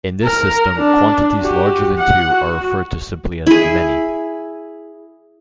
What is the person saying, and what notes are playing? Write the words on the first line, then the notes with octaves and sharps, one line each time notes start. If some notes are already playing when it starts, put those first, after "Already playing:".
In this system, quantities larger than two are referred to simply as "many".
A#4
D4
F#4 G4
F#5
F#4
E4 G#4